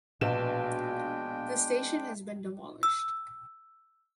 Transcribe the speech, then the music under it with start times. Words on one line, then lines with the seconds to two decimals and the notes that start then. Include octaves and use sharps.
The station has been demolished.
0.21 A#1 B2 G#3 D4 G5 E7
2.83 E6